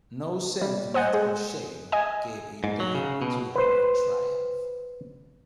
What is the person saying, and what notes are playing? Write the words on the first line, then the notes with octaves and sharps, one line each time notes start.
No sentiment of shame gave a damp to her triumph.
G3
C5 D#5 F#5 G#5 G6
G#3
D#5 G#5
G#2
F#3
C#3
B2
B4 C5